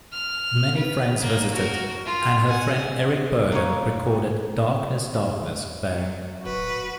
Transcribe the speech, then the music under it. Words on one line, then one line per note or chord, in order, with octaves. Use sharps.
Many friends visited, and her friend Eric Burdon recorded "Darkness Darkness" there.
F6
B4
A#3
F#4 A#4
F4
F#5 G#5
A#3 D#4 C#5
F#3
F#4 B4